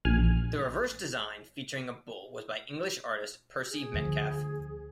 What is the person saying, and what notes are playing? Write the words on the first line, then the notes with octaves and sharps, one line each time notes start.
The reverse design featuring a bull was by English artist Percy Metcalfe.
A#1 G#5 F6
G#4
D2 D3 F3